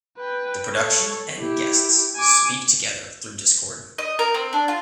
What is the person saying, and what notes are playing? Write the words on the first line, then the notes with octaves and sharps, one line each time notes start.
The production and guests speak together through Discord.
B4 G5
A4 C#5
E4 G4
G#5 D6
D#5
A#4
C4
D4
F4